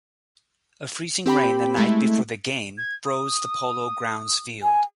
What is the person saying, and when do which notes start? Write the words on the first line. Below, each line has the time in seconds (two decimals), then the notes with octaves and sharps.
A freezing rain the night before the game froze the Polo Grounds field.
1.26 C4 G4 G5 B5
1.76 G#3 A3 E4
2.77 G#6
3.05 D#6
4.63 G#5